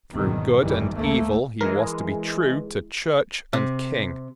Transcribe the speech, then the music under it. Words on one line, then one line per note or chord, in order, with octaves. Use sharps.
Through good and evil he was to be true to Church and King.
G#1 E2 B2 D#3 F#3 G3
G#1 F#2 D#3 E3 G3
D2 A3 A#3
E3 G#3 A#4
C3